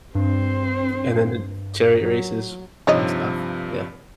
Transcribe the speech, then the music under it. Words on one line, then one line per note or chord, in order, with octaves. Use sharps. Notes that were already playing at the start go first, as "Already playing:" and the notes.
And then the chariot races and stuff, yeah.
G2 C4 C5
F#3
G2 C3 F3 D#4 C#5 D#5